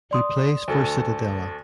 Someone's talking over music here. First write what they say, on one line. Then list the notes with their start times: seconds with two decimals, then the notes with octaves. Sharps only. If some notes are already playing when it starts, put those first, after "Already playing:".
He plays for Cittadella.
0.11 D5 C6 D#6
0.68 D2 A4